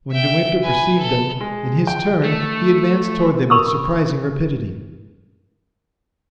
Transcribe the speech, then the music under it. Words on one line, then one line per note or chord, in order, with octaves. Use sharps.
When De Winter perceived them, in his turn he advanced toward them with surprising rapidity.
E5 G5
B4 G#5
A4
G#3
G5
A3
A#4 B5 C#6 D#6 E6